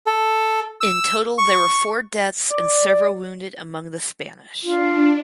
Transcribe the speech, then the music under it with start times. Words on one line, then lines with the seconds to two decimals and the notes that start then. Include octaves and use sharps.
In total there were four deaths and several wounded among the Spanish.
0.07 A4
0.81 E6
1.38 C#6
2.50 D5
4.64 D4 F4